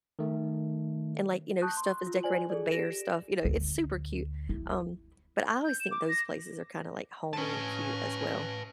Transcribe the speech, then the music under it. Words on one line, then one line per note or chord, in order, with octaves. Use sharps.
and like, you know, stuff is decorated with bear stuff, you know, it's super cute, um, but I always think those places are kind of, like, homey and cute as well.
D#3 A3
A5 C#6 D#6 F#6 G6
C6
F4
F4 C5 D5 G#5 F#7
G#4 A4 D5
G4 A#6 D7 E7
D2
E4
G6
E7
D6
A#6
C#4 B4 A5